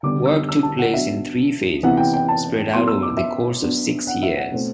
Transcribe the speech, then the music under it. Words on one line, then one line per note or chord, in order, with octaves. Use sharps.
Work took place in three phases spread out over the course of six years.
D3 G3 B3 D4 D6
E6
E6
A5
F#5
F#3 B3 D4 E5
C3 E3 B3 E4 F#5
G5
G5
A5
F#3 B3 E4 C6
E6
D6
E5
F#3 B3 D4
F#5
E5
F#5
B2 A3 C4